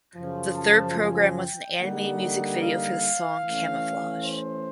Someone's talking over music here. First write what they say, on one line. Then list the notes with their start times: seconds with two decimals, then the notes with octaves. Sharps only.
The third programme was an animated music video for the song "Camouflage".
0.15 F#2 C#3 F3
0.56 A5
0.97 G#5
1.37 G5
1.78 D3 G3 A#3 D#4 F#5
2.60 F5
3.43 E3 A3 C#4
4.24 C5